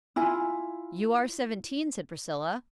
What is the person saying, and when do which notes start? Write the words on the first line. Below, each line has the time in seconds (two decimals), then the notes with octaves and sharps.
"You are seventeen," said Priscilla.
0.16 E4 F4 G#5